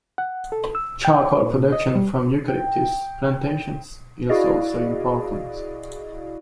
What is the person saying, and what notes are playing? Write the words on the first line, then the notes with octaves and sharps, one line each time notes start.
Charcoal production from eucalyptus plantations is also important.
F#5
A4
E6
G5
A#2
D#5
G3
G5
E4 F#4 G#4 D5 D#5 F5